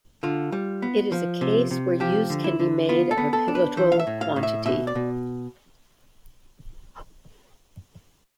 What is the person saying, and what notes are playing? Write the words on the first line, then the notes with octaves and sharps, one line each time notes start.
It is a case where use can be made of a pivotal quantity.
D3 F4
G3
B3
F3
C3
C3
F3 G4
D3
E4
D3
B3 F4
A4
B3
A4
D4
B4
E3 C5
F5
E5
A2
F5
A2
E5
B2 E5
D5
B2